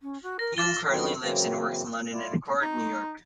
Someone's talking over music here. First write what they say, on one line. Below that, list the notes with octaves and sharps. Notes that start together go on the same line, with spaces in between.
Hume currently lives and works in London and Accord, New York.
C#4
F#4
A#4 A#6
F4 D6 A6 G7
F2 D3 D#3 F#3 B3 C4
F#2 C#3 E3 F#3 A#3 C4
E4 F4 D5
D#4